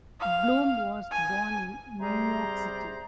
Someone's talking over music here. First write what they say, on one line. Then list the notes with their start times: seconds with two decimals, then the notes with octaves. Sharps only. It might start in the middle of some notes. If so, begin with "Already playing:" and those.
Bloom was born in New York City.
0.21 F5
1.12 G#5
2.00 C3 G3 G#4 C5 D5 A#5